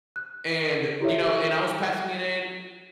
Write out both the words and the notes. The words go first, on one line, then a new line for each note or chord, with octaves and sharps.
And, you know and I was passing it in
F#6
E4 G4 A4 C#5 E5